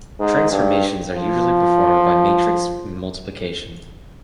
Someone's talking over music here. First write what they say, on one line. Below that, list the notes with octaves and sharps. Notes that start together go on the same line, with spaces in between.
Transformations are usually performed by matrix multiplication.
G#2
G2
F3